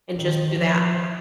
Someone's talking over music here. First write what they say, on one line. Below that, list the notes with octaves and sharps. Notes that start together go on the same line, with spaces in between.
And just do that.
D#3
F3